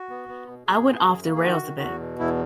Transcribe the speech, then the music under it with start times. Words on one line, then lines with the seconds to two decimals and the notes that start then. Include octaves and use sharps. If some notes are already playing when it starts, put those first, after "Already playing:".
I went off the rails a bit.
Already playing: F#4
0.10 B3
0.29 B3
0.48 B2
0.67 B2 G#4
0.86 B3
1.05 F#2
1.24 A#3
1.35 G#4
1.43 D#3 F#4
1.62 D#3
1.81 E2
2.00 B2
2.19 E2 E4